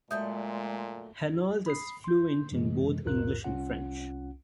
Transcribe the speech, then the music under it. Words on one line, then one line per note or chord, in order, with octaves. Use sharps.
Henault is fluent in both English and French.
A#2 F#3 G#3 A3 D4 E5 D#6 G6
B5 D#6 C7
C6 G6
F#2 C3 E3 G#3
C2 F2 A2 F4 A#4 F#6
C2 C#4 F4 F#5